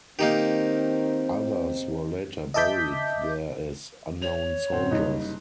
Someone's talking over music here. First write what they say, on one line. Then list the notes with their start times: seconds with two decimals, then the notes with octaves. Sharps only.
Others were later buried there as "unknown soldiers".
0.19 D#3 A#3 C4 D#4 G4
2.54 D#5 E5 A5 D6 G6 B6
4.22 C#5 F7
4.72 D1 C4 F#5
4.90 F#1 G3 D#4